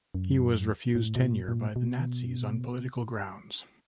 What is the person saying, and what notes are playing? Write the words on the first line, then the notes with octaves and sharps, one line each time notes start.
He was refused tenure by the Nazis on political grounds.
F#2
A2
B2
A#2
A#2
B2